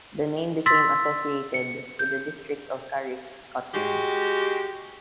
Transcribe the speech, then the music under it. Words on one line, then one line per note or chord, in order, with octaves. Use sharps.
The name became associated with the district of Carrick, Scotland.
C6 E6 A6 B6
C#7
G6
G#3 F#4 G4